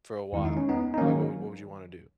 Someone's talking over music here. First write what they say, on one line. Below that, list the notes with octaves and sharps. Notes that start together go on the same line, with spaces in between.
for a while. Like, what what would you wanna do?
E2 D#3 G#3 E4
D#4
C#4
B3 D#4
D#4
D#3 F#3 A#3 C#4